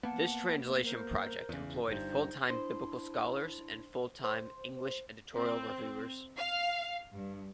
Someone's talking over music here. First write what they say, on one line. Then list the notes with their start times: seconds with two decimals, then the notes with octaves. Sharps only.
This translation project employed full-time biblical scholars and full-time English editorial reviewers.
0.03 A#3 B3 F#5 A5
0.83 A#4 C5
1.49 E2 C#3
1.87 G1 G2 D#4 C5
2.50 D4 E4 C5 C6
4.24 C5
5.36 C4
6.37 F5
7.14 G2